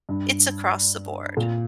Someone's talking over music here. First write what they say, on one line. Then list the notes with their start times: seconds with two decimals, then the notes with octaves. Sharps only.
it's across the board.
0.09 G2
1.37 A#2